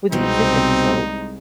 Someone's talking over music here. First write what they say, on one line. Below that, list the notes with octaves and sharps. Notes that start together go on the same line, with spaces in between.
with music itself,
C2 B2 G3 G#3 C4 D#4